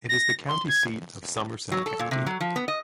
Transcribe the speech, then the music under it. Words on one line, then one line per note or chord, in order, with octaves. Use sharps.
It is the county seat of Somerset County.
A#6
C6
G#6
F#3
A4
A#2
C3
F#3
F3
B3
D#5